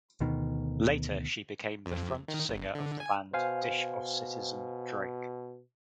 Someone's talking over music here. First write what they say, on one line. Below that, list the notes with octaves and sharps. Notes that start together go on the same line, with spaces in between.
Later she became the front singer of the band "Dish Of Citizen Drake".
D2 B2 D#3
F2
D#3
G1
D3
G#5
B2 C5 F5 G#5